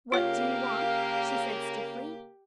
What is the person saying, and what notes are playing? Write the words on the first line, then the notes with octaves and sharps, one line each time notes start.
"What do you want?" she said stiffly.
C#3 A#3 F4 G4 C#5 F5